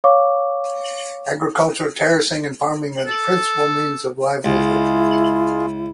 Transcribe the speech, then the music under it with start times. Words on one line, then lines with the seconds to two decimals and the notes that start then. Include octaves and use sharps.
Agricultural terracing and farming are the principal means of livelihood.
0.04 C#5 F5 C#6 D6
3.07 A4
4.44 C#2 G#3 E4 F4 G#4